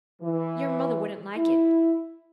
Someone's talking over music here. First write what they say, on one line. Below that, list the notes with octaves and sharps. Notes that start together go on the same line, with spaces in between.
"Your mother wouldn't like it."
E3
E4